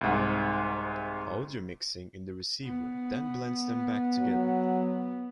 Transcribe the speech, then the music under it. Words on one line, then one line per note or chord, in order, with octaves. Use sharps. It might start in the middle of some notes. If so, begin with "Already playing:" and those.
Audio mixing in the receiver then blends them back together.
C2 G#2
B3
F#3